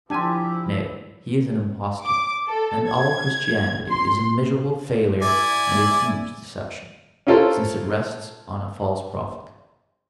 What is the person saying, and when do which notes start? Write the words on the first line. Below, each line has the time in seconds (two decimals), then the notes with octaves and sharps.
Nay, He is an impostor, and all Christianity is a miserable failure and a huge deception, since it rests on a false Prophet.
0.10 F3 D4 E4 G4 G#5 A5 C6
2.02 D6
2.47 A4
2.90 G#6
3.89 C6
5.22 E4 D5 G#5
7.27 C#4 E4 F4 A4 A#4 C5